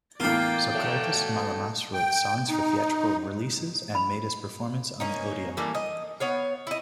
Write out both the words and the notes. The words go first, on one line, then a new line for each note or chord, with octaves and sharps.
Sokratis Malamas wrote songs for theatrical releases and made his performance in the odeon.
E2 A2 A#3 F4 D5 F5 G5
F#3 A3
G5
D#4
B5
A#3 C#4 D#4
E3 G3 A3 A#3
D#5
B3 C#5 F5
E4 D#5